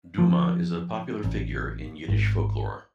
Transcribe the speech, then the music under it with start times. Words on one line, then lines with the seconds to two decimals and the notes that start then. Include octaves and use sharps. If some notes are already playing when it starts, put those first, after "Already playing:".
Dumah is a popular figure in Yiddish folklore.
0.18 F3
1.24 A1
2.08 G#1